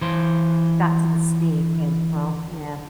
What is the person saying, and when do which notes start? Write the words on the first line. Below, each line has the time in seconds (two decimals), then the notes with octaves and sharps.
got to the snake and, well, yeah.
0.01 E3 C5